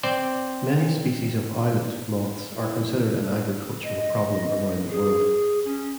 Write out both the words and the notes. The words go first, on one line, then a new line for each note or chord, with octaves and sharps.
Many species of owlet moths are considered an agricultural problem around the world.
C4 C5 D5
E4
D#5
G#4
C#4